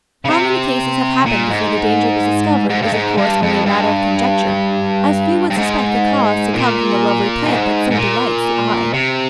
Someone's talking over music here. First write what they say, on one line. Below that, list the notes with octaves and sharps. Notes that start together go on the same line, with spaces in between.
How many cases have happened before the danger was discovered is of course only a matter of conjecture, as few would suspect the cause to come from the lovely plant that so delights the eye.
C#3
C3
A#2
G#2
G#2
G2
G#2
G2
F2
G2
G2
G#2
A#2
G2
G#2
G#2
A#2
C3